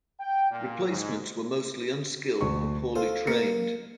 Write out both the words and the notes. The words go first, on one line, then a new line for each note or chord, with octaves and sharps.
Replacements were mostly unskilled and poorly trained.
G5
A#2
G#2
D2 C#6
A4 C5 F5
A#3 C#7